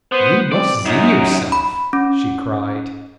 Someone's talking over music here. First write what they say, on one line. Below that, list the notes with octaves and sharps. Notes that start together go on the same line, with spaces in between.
"You must zee yourself!" she cried.
B3 C5
C4 D5
F#2 D#4
B5
C#4